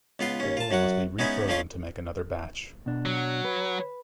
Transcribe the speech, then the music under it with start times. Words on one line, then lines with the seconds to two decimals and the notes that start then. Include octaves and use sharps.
The bowl must be refrozen to make another batch.
0.19 C#2 B3 F4 C6
0.40 D#2 C#4
0.57 F4 A5
0.71 F#2 F#3 F#4 F#5
1.19 G#3 B3 C#4 D#4 E4 G#4
1.48 F2 F3 C4 C#4 F4 C6
2.86 B2 D4
3.06 F#3
3.45 B4